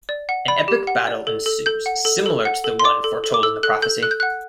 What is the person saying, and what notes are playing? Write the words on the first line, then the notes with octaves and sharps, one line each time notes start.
An epic battle ensues similar to the one foretold in the prophecy.
D5
F#5
D5 B5
G4
F#5
D5
A4
A4
A4 G6
F#5
A4
A4
F#5
A4
C6
D5 D6
A4
A4
D6
A4 E6
A4 F#6
A4 G6
A4 F#6
G6
F#5 F#6